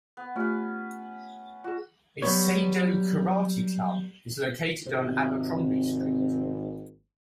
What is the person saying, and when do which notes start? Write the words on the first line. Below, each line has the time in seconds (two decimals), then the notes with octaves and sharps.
A Seido Karate club is located on Abercrombie Street.
0.17 B3
0.36 A3 C#4 F4 G4 B4
1.64 F4 F#4 G#4
2.22 F#3 G3 B3 C#5
4.86 G#1 C3